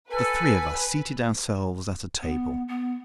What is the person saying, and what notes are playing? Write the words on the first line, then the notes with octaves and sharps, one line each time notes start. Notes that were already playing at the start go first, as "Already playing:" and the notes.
The three of us seated ourselves at a table.
A4 B4 G#5
B3
B3